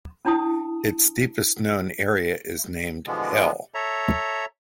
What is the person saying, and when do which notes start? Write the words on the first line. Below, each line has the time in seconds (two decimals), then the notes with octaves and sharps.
Its deepest known area is named "Hell".
0.25 C#4 D4 E4 A5 D#6
3.07 B2 D3 E3 F3 G#3 B3
3.74 A4 C#5 E5 A#5